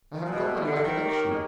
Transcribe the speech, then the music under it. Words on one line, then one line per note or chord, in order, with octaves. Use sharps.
I haven't got one in my collection.'
A#2
B2 B3 E4 G4
D3
D3
D#3
D#4 G4 A#4 C#5
G#3